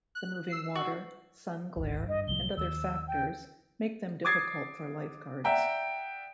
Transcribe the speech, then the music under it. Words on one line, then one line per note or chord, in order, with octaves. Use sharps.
The moving water, sun glare, and other factors make them difficult for lifeguards.
F#6
E6 C7
F#4
D1 G#1
G2 D#5
C2 A2 F3 G7
D#2 E6
G5
D6 D#6 G#6 A6 C7
D5 E5 F#5 G5 A#5